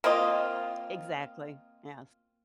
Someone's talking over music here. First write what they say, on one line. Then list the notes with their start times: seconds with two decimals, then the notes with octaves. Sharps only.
Exactly, yes.
0.04 A#3 C4 F4 D#5